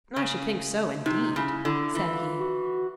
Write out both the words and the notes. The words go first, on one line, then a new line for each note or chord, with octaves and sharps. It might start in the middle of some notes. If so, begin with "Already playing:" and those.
"I should think so, indeed," said he.
C#3
C3 D#4
C#3 E4
D3 E4
E3 F4
F#4